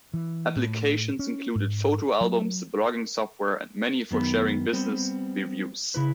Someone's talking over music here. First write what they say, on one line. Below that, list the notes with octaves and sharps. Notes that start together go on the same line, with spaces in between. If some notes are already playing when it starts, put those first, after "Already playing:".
Applications included photo albums, blogging software, and many for sharing business reviews.
E3
A2
C#4
G#2
F#3
F#2 D#3 B3
G3 B3 C4
C#3 E4 B4